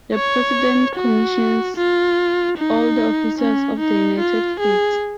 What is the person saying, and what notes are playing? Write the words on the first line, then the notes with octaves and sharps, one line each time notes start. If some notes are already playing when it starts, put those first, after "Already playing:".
The President commissions all the Officers of the United States.
C#5
F#4
F4
D#4
C#4
D#4
F4
G#4